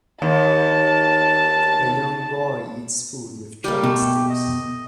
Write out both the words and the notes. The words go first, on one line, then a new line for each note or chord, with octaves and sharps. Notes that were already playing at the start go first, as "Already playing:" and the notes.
A young boy eats food with chopsticks.
D#2 A5
G3 A#3 G4
B2 A3
D#5